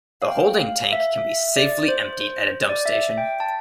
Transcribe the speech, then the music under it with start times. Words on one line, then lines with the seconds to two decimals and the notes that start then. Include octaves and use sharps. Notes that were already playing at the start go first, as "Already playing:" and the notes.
The holding tank can be safely emptied at a dump station.
0.22 F5
0.28 G5
0.60 F5
0.92 E5
1.57 D5
1.88 C5
2.21 C5
2.69 D5
2.86 E5
3.18 G5
3.40 A5